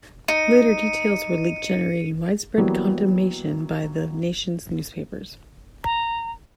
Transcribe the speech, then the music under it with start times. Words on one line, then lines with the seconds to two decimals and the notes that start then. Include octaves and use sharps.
Later, details were leaked generating widespread condemnation by the nation's newspapers.
0.28 D#4 C#7 D#7
2.58 E3 F#3 G3 A#3 B3
5.84 A#5